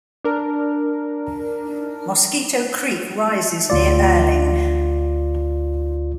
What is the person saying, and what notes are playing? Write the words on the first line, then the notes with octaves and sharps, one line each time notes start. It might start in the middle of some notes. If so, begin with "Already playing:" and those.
Mosquito Creek rises near Earling.
D4 A#4
D2 F4 D5